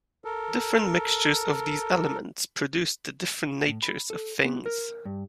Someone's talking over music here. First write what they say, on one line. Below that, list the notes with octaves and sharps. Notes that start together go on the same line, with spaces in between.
Different mixtures of these elements produced the different natures of things.
A4 A#4
A2
B5
A4
B3
A#4
G2